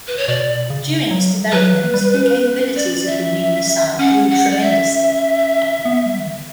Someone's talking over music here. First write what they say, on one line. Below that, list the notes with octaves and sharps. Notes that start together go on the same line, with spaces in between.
During its development, the capabilities of the new missile grew tremendously.
B4
C#5
B2 D5
C#3
F#3
G3
F#3 B4
E3
A#3
G3
C#4
B3
C#4
D5
E5
C#4 F#5
F#5
D5
E5
B3
G3
E3
D3